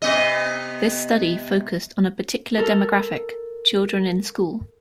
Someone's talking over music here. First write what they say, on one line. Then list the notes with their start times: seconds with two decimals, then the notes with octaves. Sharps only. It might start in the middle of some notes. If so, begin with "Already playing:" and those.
This study focused on a particular demographic: children in school.
0.02 C3 B3 D#5
2.58 A4 A#4